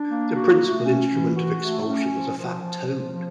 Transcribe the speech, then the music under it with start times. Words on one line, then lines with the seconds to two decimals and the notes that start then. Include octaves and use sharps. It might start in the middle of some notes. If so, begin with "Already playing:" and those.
The principal instrument of expulsion was a fat toad.
Already playing: D4
0.09 A#3
0.34 F#4
0.60 A3
0.85 C#4
1.10 E3
1.35 F#4
1.61 A3
1.86 C#4
2.12 F3
2.37 F3
2.62 F3
2.87 F3
3.13 F3